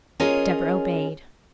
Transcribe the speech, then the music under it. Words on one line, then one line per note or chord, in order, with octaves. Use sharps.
Deborah obeyed.
C#4 F4 G#4 A#4 C#5 D#5